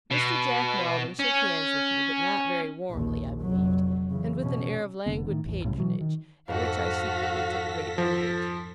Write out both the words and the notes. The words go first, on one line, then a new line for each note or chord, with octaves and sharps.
Mr. Jack Maldon shook hands with me; but not very warmly, I believed; and with an air of languid patronage, at which I secretly took great umbrage.
B2
C#4
A#1 D#2
F1 F#3
C#3 E3
B2 C#4
F1 D3 B3
A2 D#3
A1 E2
C2 A2 C#3 G3
B2 E3 F#3
D#3
F2 G#2 F#4 A4 F5 A#6 B6
F3